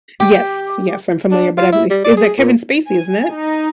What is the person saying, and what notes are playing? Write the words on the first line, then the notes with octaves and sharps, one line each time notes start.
Yes, yes I'm familiar, but I've is is that Kevin Spacey, isn't it?
G4
D4
F4
E4
G3
D5
G#4
A#2
G#5
D#4